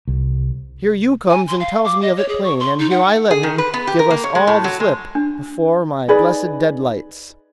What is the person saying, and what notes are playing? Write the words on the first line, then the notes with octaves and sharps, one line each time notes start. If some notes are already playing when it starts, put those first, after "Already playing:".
Here you comes and tells me of it plain; and here I let him give us all the slip before my blessed deadlights!
C2
G#5
C6
F5
D6
D#5
C#5
G#4
C#6
C6
D#4
F#5
G#4
D#3
B4
B3
G4
A#4
A#3
C#5
G#3
A2
F#3
G#3
D4
D#4 G#4 B4 D5